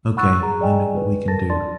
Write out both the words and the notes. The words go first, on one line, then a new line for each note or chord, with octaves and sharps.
OK, I know what we can do.
F#5 B5 C#6 E6 F#6 A6
G#4 A#5
G#4 D5 D#5 G5 G#5
B4
A4 A#4 A5 A6 A#6
D4 D5 A5 C6 A6